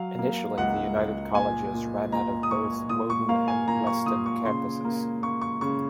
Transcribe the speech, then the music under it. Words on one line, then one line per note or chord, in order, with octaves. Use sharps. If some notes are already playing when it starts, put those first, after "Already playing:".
Initially, the united colleges ran out of both Woden and Weston campuses.
Already playing: F#3 F5
A#3
C#2 F#5
C#2
A#2 G#5
A#2
A#2 A#5
D#6
A#2 C#6
A#2 D#6
C#6
A#3 F5
G#5
A#2 A#5
C#6
A#2 D#6
C#6
C#3 C6
A#3
A#3 C#6
C#6
C#3 C#6